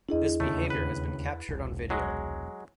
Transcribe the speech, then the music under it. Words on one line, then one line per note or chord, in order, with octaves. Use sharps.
This behaviour has been captured on video.
E2 D4 E4 G#4 D#5
D#2 C#3 A3
B4
E1 C2
F#3 G#3